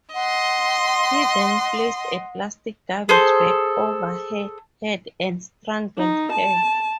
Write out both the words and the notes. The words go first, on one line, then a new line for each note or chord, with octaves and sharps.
He then placed a plastic garbage bag over her head and strangled her.
D#5 F#5 C6
G#4 A4 C5
D#4
A5